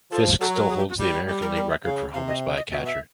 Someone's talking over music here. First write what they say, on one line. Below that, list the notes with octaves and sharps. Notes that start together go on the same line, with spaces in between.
Fisk still holds the American League record for homers by a catcher.
F3 A4
F#3 A4
A#4
G#4
G4
F#4
G3 G4
G3
A#4
A#4
E5
C#3 F5
C3 F5
D#5
D#5
B2 E5
E5